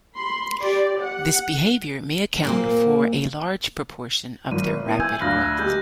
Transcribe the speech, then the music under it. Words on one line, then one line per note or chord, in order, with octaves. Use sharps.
This behavior may account for a large proportion of their rapid growth.
B5 C6
G4 D5
F#5
A#2 A#3 C4
G#1 D#7
B3 E4
G#5 E6 G6 G#6
D2 F5 B5 F6 F#6 A#6
G#3 G4 G6